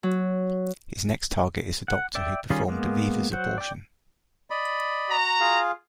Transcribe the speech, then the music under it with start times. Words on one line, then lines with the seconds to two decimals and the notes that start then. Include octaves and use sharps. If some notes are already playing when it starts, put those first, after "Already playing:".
His next target is the doctor who performed Aviva's abortion.
0.03 F#3
1.88 F#5
2.15 D5 E5 G5
2.50 D#3 G3 C#4 F4 G#4
2.68 G#3 A#3 B3
3.32 F#3 C5 F#5
3.58 D5 G5
4.50 D5 D#5 B5
5.09 F#4 A#5
5.40 F4 G#4 F5